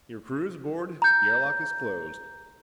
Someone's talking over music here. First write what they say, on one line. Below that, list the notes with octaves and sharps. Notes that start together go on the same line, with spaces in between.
Your crew is aboard, the air lock is closed.
A#5 G6